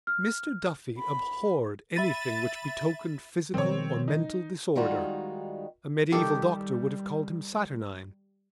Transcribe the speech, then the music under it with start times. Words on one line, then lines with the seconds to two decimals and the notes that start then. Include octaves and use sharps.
Mr. Duffy abhorred anything which betokened physical or mental disorder. A mediaeval doctor would have called him saturnine.
0.07 F6
0.98 B5
1.95 E5 B5 A6 D#7
3.54 B2 D#3 F3 G3 C4 C#5
4.08 D#4
4.76 D#3 G3 G#3 D#4 F4 F#4
6.12 D#3 G3 G4 A4